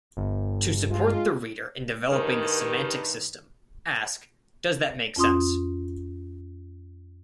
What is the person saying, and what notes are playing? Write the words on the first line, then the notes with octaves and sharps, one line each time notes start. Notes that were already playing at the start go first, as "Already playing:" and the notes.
To support the reader in developing the semantic system, ask, "Does that make sense"?
G1
G#3 F4
G2 D#3
F2 C#4 F4 C6 D#6